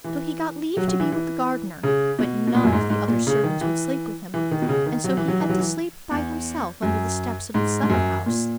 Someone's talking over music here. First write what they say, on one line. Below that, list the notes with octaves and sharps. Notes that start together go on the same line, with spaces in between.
So he got leave to be with the gardener, but none of the other servants would sleep with him, and so he had to sleep by himself under the steps of the summer-house.
E3
F#3
F#3
E3
E3
C#3
B2
B2
A#2
F#2
G#2
G#2
A#2
C#3
D#3
E3
E3
D#3
B2
C#3
D#3
F#3
E3
F#3
E3
F#3
E3
E2
F#2
G#2
G#2
F#2
A#2